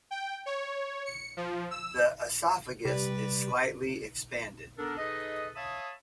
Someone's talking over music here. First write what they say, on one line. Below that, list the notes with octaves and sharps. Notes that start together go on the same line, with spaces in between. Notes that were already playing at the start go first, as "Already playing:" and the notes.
The esophagus is slightly expanded.
G5
C#5
C#7
F3
E6
C3 G3 B4 D5
B3 D4 A4 A#4
D#4 G#4 A4 B4 D#5
C#5 E5 F5 A5 B5 D#6